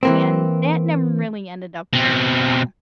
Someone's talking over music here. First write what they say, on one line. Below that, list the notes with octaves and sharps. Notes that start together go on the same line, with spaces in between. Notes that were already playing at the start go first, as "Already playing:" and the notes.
And that never really ended up very well.
E3 A#3 C4
B2 C4